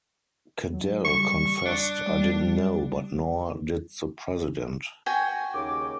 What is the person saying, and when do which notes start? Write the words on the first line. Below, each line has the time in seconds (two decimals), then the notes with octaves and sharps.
Cadell confessed 'I didn't know but nor did the president.
0.72 F#3
1.05 G3 C#6
1.65 D4 F#6
2.07 G3
5.06 F#4 G5 G#5
5.54 D#2 C#3 D6